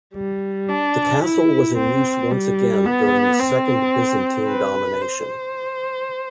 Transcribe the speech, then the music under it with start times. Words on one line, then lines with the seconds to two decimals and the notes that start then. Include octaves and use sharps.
The castle was in use once again during the second Byzantine domination.
0.15 G3
0.69 D4
1.23 E4
1.77 C4
2.32 G3
2.85 B3
3.39 C4
4.47 B4
5.02 C5